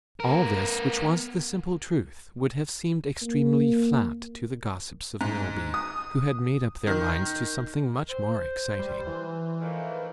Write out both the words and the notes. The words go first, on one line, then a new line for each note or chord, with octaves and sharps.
All this, which was the simple truth, would have seemed extremely flat to the gossips of Milby, who had made up their minds to something much more exciting.
B3 A#4
A#3
G#2
D#6
D#3
C5
G3
E3
A2 D#3 F3